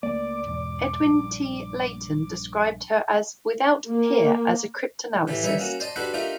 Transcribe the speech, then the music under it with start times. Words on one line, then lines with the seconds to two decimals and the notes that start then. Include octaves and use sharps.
Edwin T. Layton described her as "without peer as a cryptanalyst".
0.03 C#2 A3 A#3 D5 D6
0.46 E2 G#2 B2
1.02 A#1 G2
3.88 A#3
5.28 A2 E3 A3 G4
5.43 E3 G3 D#4 C#5 E5
5.59 A#3 C#4 F#4
5.80 C5 D5 D#5 A5
5.96 D4 F#4 G4 A4 B4 C5
6.14 A3 D4 D#4 F4 G4 A#4